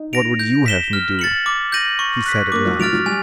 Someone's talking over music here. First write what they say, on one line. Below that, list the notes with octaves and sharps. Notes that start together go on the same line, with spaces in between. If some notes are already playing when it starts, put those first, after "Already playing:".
"What would you have me do?" he said at last.
Already playing: D#4
A#6 D7 F7
G6
B6 E7 G7
F6
A6 C#7 F#7
D6
G6 A#6 D#7 F#7
C#6
F#6 B6
A#3 D6
F#3
F#3 F6 A6 D7 F7
F#3
G3 G#5